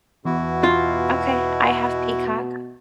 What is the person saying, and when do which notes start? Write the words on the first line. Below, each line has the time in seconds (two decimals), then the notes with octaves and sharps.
Okay, I have Peacock.
0.25 E2 B2 E4 F#4
0.64 F4